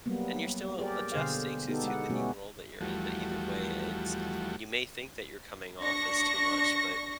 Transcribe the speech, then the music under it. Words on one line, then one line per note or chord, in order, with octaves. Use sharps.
and you're still adjusting to to the new role that you're in, but either way, it's you may think that you're coming off as too much, but
F#3 G3 A#3 B3
G4 G#4 A#4 D5
B2 D3 G#4 C5 F5
B3 D#4 G4 A4
G#3 F#5
B2 G3 A3 B3 C#4 F#4
E2 F3 G3 A3 F#4
D4 C#6 A#6